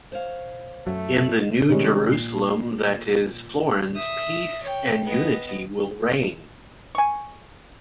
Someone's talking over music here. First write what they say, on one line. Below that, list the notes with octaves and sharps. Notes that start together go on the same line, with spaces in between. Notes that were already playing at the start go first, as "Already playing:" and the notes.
In the New Jerusalem that is Florence peace and unity will reign.
C5 C#5 F5
F#2 F#3 A3
C3 D#3 G3 G#3 C#4
A#2 C7
E5 D#6
C#5 G5
B3 D#5
G#5 C#6